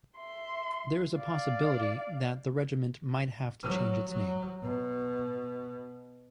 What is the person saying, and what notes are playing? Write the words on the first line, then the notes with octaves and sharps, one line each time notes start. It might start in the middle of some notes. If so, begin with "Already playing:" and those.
There is a possibility that the regiment might have to change its name.
E5 C6
D5 F5
F#3
F#3
B2